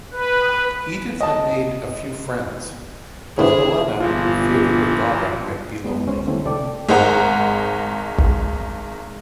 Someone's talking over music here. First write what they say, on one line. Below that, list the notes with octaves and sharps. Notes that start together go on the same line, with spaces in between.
Edith had made a few friends, but Helena feared her daughter might be lonely.
B4
D#5 A5
G2 D3 E3 A3 E4 G#4 C5
G1 A#2 E3 F3 F4
G#3 B3
C#2 C#4 C5
D3 G3 A3 C4 E4
C2 C3 A4 D5 G5 D6
G#1 G#3 D#4 C5 F#5 A#5